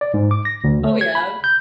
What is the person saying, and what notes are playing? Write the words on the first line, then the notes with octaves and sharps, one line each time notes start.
Oh, yeah.
D5
G#2
D6
A#6
D2
A3
G#6
B5
G6